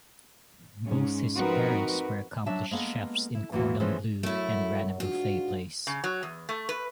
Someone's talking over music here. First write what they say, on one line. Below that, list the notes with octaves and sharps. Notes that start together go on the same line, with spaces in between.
Both his parents were accomplished chefs in cordon bleu and ran a buffet place.
G#2 C#4
F3 C4 D#4 F#4 A#4 B4
F#3 D4 E5 A5
G#3 A#3 B3 A4
E4
E2 A#2 E3 A#3 F#4
E3 F3 G#3 A3 B3 C#4
F#2 F#3 A3 E4
G#2 D4 F4 F#4
C#3
F#3
E2
A3
B4